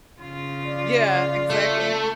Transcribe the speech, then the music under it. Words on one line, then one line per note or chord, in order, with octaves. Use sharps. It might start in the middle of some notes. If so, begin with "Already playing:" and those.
Yeah, exactly,
C#3 F4
D5
A3